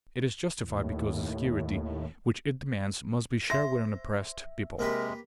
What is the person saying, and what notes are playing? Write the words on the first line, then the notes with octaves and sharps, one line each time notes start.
It is justified because the security which it demands must be shared with an oppressed people.
D#2 A2
C5 E5 A#6
C3 G#3 A#3 G4 A#4 B4